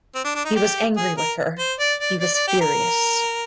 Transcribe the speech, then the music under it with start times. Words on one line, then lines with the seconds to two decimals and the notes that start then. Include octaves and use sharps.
He was angry with her; he was furious.
0.14 C4
0.24 D4
0.35 D4
0.45 D#4
0.55 G4
0.97 G#4
1.18 A#4
1.59 C5
1.79 D5
2.00 D5
2.20 D5
2.34 D5
2.48 G4
2.61 A#4